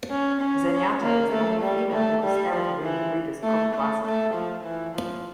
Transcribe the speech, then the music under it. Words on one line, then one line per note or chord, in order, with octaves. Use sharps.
Zenyatta is the only female horse ever to win the Breeders' Cup Classic.
C#4
C#4
C#4
A#3
A3
G3
A3
G3
F3
E3
A3
A3
A3
F3
E3
F3